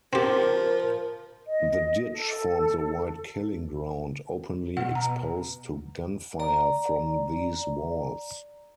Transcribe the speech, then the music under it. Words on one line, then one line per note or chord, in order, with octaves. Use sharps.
The ditch forms a wide killing ground openly exposed to gunfire from these walls.
F3 C4 G4 A#4
D#5
A4
B2 F#5
B2 A#5
D5 A#5